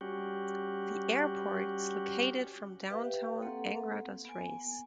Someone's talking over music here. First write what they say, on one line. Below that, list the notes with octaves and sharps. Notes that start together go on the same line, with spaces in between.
The airport is located from downtown Angra dos Reis.
G3 C#4 F#4 G4
G4 B4 E5 F5 G5
A#3 C4 A4 F#5
B3 G#5